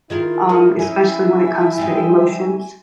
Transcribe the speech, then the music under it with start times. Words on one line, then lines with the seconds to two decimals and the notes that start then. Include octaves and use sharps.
um, especially when it comes to emotions.
0.10 D#3 E4 F4 G#4 A#4
0.49 C#4 F#4 G#4 A#4
0.79 C#4 D#4 E5 G#5
1.78 G3 C4 D#4